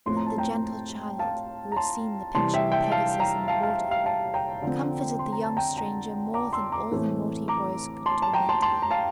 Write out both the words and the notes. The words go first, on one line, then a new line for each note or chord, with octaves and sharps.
But the gentle child, who had seen the picture of Pegasus in the water, comforted the young stranger more than all the naughty boys could torment him.
A2 F3 A3 C4 C6
A#5
A5
G5 A#5
F5 A5
A#5
A5 C6
C3 E3 G3 A5 C6
E5 G5
E5 G5
F5 A5
G5 A#5
F5 A5
F5 A5
F5
F5 A5
G5 A#5
D3 F3 C4
C6
A#5
A5
G5 A#5
G5 A#5
A#5 D6
C6 E6
A#5 D6
A2 E3 A3 C4
A#5 D6
A5 C6
A5
G5 A#5
A5 C6
A5 C6
A#5
F5 A5